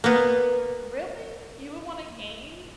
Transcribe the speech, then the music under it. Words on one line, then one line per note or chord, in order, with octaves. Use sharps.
Really? You would wanna game?
A#3 B3